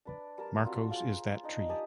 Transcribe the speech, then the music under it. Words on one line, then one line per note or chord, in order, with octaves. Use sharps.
Markos is that tree.
D4 B4 D5
G3 A#4 A5
C4 F4 F#4
F4 G#4 C5 C6
D4 D#4 D#5 G5
G4 G#5 A5 D#6